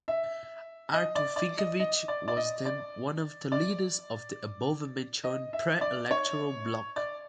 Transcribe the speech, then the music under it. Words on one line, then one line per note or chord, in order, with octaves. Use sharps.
Artur Finkevich was then one of the leaders of the above-mentioned pre-electoral block.
E5
D#5
D5
D5
D#5
D#5
D5
D5
D#5
D5
D5
D#5
E5
D5
C#5
D5